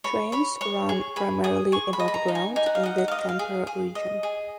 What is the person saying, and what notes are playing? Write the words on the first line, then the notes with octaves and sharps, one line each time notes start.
Trains run primarily above ground in the Tampere region.
C#5 B5
C#5 B5
C#5 C#6
G#4 C#6
G#4 B5
G#4 D#6
G#4 C#6
B5
D#5
B5
A#5
D#4
G#5
D#4 G#5
F#5
F5
D#5 F#5
F#5
D#5 F5
D#5
F5
G#4
G#4
D#5
G#4